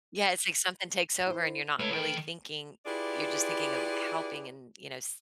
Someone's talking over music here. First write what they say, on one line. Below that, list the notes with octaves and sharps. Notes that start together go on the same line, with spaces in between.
Yeah, it's like something takes over and you're not really thinking eh, you're just thinking of helping and, you know, s
E4 C5
G#3 A3 B4 C#5
E3 G5
E4 F4 G4 G#4 B4 D5